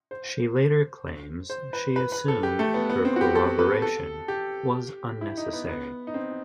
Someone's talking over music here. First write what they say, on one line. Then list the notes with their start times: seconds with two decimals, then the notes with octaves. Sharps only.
She later claims she assumed her corroboration was unnecessary.
0.11 C5
1.50 C5
1.73 B4
1.96 B4
2.12 B4
2.28 A4
2.43 G4
2.59 A3
2.74 B3
2.90 B3
3.05 C4
3.16 F#4
3.21 G4
3.35 A4
3.59 B4
3.82 A4
4.28 G4
5.21 E4
5.37 D#4
5.53 B3
5.69 B3
6.07 D#4
6.14 C4